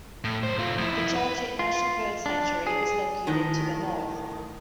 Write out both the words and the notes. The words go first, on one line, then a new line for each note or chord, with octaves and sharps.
The Djoudj National Bird Sanctuary is located to the north.
A2
F#2 C5
A3 F4
F2 E4
B4
F4
D4
G#4
A2 D#3